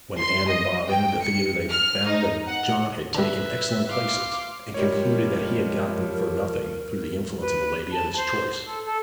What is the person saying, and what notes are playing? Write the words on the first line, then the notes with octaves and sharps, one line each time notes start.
When Anne and Bob entered the theatre they found that John had taken excellent places, and concluded that he had got them for nothing through the influence of the lady of his choice.
C6
D#5
G5
C#7
F6
D#4
F#5
D3 G3 B4 E5
F5 C6 D6
F3 G3 G#3 A#4 C#5
B4
A5
C5
A4
A4